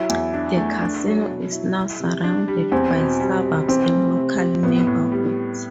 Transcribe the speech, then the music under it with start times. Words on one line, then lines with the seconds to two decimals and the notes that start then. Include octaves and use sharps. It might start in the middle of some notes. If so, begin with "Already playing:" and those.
The casino is now surrounded by suburbs and local neighbourhoods.
Already playing: F#3 E4
0.09 E2
0.33 D4
0.57 A3
0.81 D4
1.05 F#3
1.29 B2
1.52 E4
1.76 E4
2.00 C3
2.24 D4
2.48 G3
2.72 E2 C4
2.96 B2
3.20 G3
3.44 C3
3.68 E3 C4
3.92 A3
4.16 C3
4.40 G4
4.63 A2 B3
4.87 A2
5.12 G3